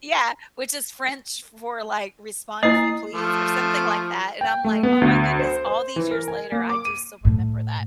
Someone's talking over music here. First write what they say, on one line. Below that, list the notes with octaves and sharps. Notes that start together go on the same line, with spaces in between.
Yeah, which is French for, like, "Respond if you please," or something like that. And I'm like, "Oh, my goodness, all these years later, I do still remember that."
A#3 E4 D#5 D#6 C7
F3 A3
G5
A3
B3
D2
C5
C5
E3
A#4
G#5
A#3
D6
D#7
A2